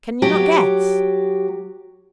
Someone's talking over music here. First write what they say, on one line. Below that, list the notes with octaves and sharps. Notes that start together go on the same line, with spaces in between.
Can you not guess?
F#3 G4